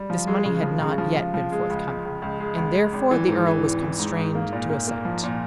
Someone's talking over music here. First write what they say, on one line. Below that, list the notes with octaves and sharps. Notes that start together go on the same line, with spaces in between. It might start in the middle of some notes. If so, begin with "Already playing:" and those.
This money had not yet been forthcoming, and therefore the Earl was constrained to assent.
Already playing: G3
F3
G#3
C#3
F3
C#3
F3
F3
F3
G#3
C#2
G#3
C#2
C#2
G#3
C#2
G#3
G#1
E3
G#2
E3
G#1
E3
G#2
G#2
A#3
A#2
A#3
A#3
F3
A#2